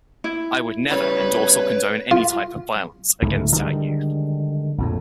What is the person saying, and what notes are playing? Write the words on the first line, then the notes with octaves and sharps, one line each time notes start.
I would never endorse or condone any type of violence against our youth.
E4
C#3 G3 B4 C#5
F4
C#2 G#2 D3 A3
D3 D#3 G3 G#3
A#1 F2 A2